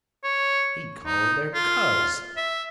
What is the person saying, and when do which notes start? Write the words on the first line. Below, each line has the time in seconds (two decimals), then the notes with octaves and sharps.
He called her Coz!
0.24 C#5
1.06 D#4
1.55 F4
2.37 E5